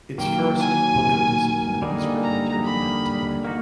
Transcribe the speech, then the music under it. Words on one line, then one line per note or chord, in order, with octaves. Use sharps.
Its first Book of Discipline was written during that time.
D#3 F#3 A#3 G5
G#5
D3 G3 A#3 D#4 G#4
A#5
B5
A#3 D#4 F#4